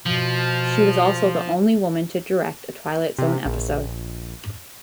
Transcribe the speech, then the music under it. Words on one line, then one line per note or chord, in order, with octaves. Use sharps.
She was also the only woman to direct a "Twilight Zone" episode.
B2 F3
C3
A#1